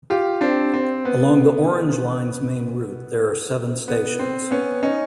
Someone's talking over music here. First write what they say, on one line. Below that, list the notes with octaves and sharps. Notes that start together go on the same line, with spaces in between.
Along the Orange Line's main route there are seven stations.
F4 G4
C4 D4
C4
B3
B3
C4
B3 C#4
C#4 D#4